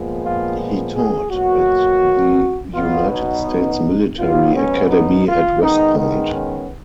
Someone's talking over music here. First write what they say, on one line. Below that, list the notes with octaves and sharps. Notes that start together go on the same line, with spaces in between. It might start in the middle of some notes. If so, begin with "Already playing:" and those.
He taught at the United States Military Academy at West Point.
Already playing: A#2 F3 G#3 B3
F4
G#4
B2 F#3 A#3 F#4
B2 F#3 B3 F4
D#4
B2 F#3 B3 F4
C#4
D#4
F4
D#3 G#3 B3 D#4
D#4
C#4